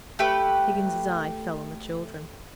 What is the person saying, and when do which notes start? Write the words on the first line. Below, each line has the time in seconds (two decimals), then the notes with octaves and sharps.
Higgins's eye fell on the children.
0.19 A3 G4 B4